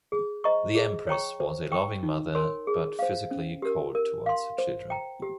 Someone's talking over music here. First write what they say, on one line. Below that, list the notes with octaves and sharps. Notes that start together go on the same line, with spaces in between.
The Empress was a loving mother, but physically cold towards her children.
G#4
C5 D#5 A#5 C#6
G#4
C#5 G5 A#5 C#6
C5
G5 C#6
D#4
A#4 C#5 G#5 C6
G#4
C5 F5
C#4
G4 A#4
A#4
F5 C6
C5
G5 A#5
G4